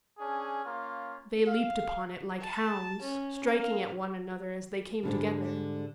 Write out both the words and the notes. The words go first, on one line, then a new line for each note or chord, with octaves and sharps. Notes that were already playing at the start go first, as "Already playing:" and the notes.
They leaped upon it like hounds, striking at one another as they came together.
C#4 D4 G#4
A#3 C#4 F4
F5
A5
C#4
A#3 F5
G#2 D3 G3